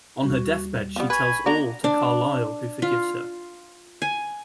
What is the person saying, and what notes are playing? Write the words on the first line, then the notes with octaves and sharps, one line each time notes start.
On her deathbed she tells all to Carlyle who forgives her.
D#2 G3 F#4
F3 G3 B3
A#1 B4 G#5 B5 C#6
B3 D4 F#4 D5 A#5
D4
F4
G#5